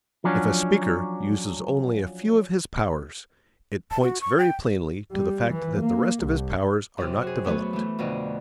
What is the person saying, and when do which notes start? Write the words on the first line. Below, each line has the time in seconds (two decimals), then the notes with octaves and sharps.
If a speaker uses only a few of his powers, it points very plainly to the fact that the rest of his powers are not developed.
0.24 F3 F#3 C#4 D4
3.91 A5
4.02 F#4
4.21 C#6
4.38 G5
5.11 G3
5.51 E3
5.81 A#3
6.24 C2
6.98 F#2 C3
7.23 F#4 G#4
7.45 F#3 A3 B3 G#4 B4
7.73 E3 A3
7.98 F2 B2 D3 D#5